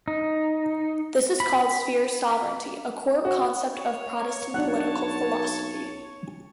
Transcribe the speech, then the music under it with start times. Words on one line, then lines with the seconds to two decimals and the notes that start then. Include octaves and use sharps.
This is called sphere sovereignty, a core concept of Protestant political philosophy.
0.08 D#4
1.40 B5
3.25 F#4
3.75 C#5
4.54 B1 D4 F#5 A5